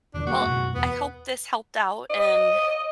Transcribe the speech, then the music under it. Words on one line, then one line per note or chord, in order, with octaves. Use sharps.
well, I hope this helped out, and
E1 D#3 D4
G#3 A#3 F#4
F#2 B2
E2 B3
D#5